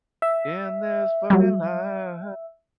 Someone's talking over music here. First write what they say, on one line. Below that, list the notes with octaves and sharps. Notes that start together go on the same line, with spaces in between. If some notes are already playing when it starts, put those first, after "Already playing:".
in this fucking life,
E5
F#3 G3